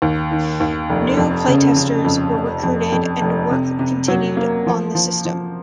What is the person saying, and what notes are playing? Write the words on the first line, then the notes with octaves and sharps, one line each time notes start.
New playtesters were recruited and work continued on the system.
D#2
D#3
D#2
F1
F2
C#3
C#3
F2
F1
F2
F2
F1
C3
C3
F#3
A#3
F3
F3
F3